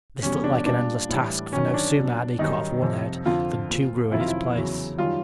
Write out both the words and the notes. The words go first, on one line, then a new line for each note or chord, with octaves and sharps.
But this looked like an endless task, for no sooner had he cut off one head than two grew in its place.
E2 B2 G3 C#4
D4
A#2 G3 D4
A2 E3 G3
F#2 D#3 F#3 C#4
D4
B2 F#3
F#2 D#3 G3 D#4
F2 C3 F3
F2 D3 F3 F4
A#2 F3
F2 C3 D#3 F#3 E4
F4
E4
E2 C#3 F#3
F#2 D#3 G3 F4